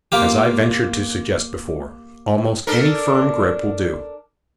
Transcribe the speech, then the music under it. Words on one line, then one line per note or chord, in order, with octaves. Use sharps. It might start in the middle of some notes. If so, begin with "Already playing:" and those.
As I ventured to suggest before, almost any firm grip will do.
A#3 F4 G4
D4 A4 A#4